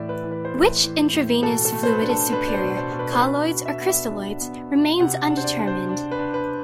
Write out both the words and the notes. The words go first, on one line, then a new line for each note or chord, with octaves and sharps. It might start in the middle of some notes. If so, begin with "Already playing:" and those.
Which intravenous fluid is superior, colloids or crystalloids, remains undetermined.
Already playing: A2 E3 D5 E5
B4
E3
B4
C5
A2 B4
E3
A2
B2 A4
A4
A3
C5
B4
D4
A4
D4 B4
D5
C5
B2
C5
B2
B4
C5
D4 B4
B2
E5
B3
E5
D4
B3
B2
C3 F#5
F#5
D4
C5
D5
D4
C5
D4
B4
D4
B4